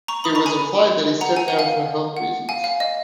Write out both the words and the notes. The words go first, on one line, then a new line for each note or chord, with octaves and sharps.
It was implied that he stepped down for health reasons.
A#5 C#6
B5 D#6
A#5 C#6
G#5 B5
F#5 A#5
G#5
F#5
F5 G#5
F#5
F5 G#5
F5
D#5